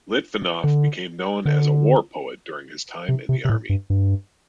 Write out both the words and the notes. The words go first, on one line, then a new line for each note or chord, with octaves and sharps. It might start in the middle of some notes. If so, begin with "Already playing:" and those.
Litvinoff became known as a war poet during his time in the Army.
D3
D3
C3
C3
C3
A2
G2
G2